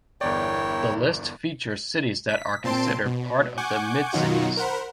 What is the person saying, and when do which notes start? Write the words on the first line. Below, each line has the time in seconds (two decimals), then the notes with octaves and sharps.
The list features cities that are considered part of the Mid-Cities.
0.21 G1 E2 E4 A#4 C#5 D5 G5
2.29 B6
2.64 A#2 C4 A5 C6 D7
3.06 B2
3.58 F#5 G#5 C#6 D6 G6
4.13 B2 D#3 F#3 D#4 F4 F#4
4.57 A#4 C5 F#5 B5